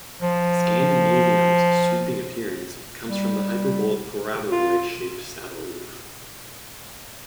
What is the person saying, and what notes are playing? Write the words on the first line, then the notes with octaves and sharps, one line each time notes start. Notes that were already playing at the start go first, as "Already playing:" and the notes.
Scandinavium's "sweeping appearance" comes from the hyperbolic paraboloid shaped saddle roof.
F3
G3
F4